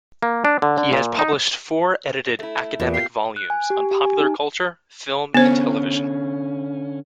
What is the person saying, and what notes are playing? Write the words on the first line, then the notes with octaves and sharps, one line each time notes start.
He has published four edited academic volumes on popular culture, film, and television.
A#3
D4
D3
D3
A#2
D#4
A3 E4
E2 A#2
F4 G4 C7
F#6
G#5
G4
G4
G#5
D#4
D3 B3 C#4 C5